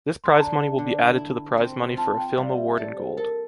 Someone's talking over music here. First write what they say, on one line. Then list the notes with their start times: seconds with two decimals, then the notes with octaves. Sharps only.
This prize money will be added to the prize money for a film award in gold.
0.24 C6
0.31 A#5
0.38 D3 A5
0.78 D3
1.18 E4
1.57 C4
1.97 F4 A5
2.18 G5
2.37 G3 F5
2.57 E5
2.77 A4 D5
2.97 C5
3.17 A4 A#4